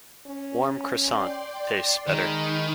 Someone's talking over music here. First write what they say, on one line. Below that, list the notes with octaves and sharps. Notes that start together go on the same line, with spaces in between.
Warm Croissant tastes better.
C#4
D5 G5 C6
D#3 G#3 B5